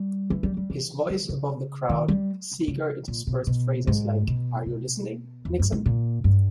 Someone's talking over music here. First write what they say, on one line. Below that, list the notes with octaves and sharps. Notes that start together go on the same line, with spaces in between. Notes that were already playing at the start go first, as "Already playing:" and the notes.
His voice above the crowd, Seeger interspersed phrases like, Are you listening, Nixon?
Already playing: G3
E3
G3
G3
E3
D#3
C#3
D#3
G3
C#3
A#2
B2
B2
G#2
B2
B2
E2
G2
G#2
A#2
G2